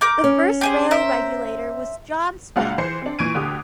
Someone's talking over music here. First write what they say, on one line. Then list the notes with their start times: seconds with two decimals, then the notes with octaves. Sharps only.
The first Rail Regulator was John Swift.
0.01 A#4 D6 G6
0.24 C#4
0.61 G4 G#4 C5
0.91 A#4 C5 E5
2.56 C#2 A#2 D4 F#4 F5 F#5
2.78 E3 C5 C7 C#7
3.02 C4 D4
3.19 A#2 E3 C#6 G#6 D7 D#7
3.35 D2 D3 G4 D6 D#6